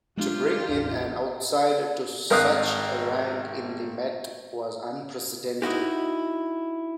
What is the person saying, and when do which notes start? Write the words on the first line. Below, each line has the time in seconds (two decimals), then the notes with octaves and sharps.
To bring in an outsider to such a rank in the Met was unprecedented.
0.17 G#3 C4 D4 F4 G4
0.69 A1 E2
2.30 G#1 A#4 F5 D#6 F#6
5.62 D#4 E4 F#4 G4